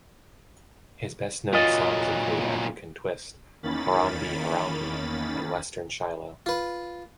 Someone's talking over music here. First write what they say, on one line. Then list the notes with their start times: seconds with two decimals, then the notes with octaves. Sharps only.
His best-known songs include "African Twist", "Harambee Harambee" and "Western Shilo".
1.53 A#2 F#3 F4 D#5
3.63 E2 D#3 A#3 C#4 B5 A6
6.46 F4 B4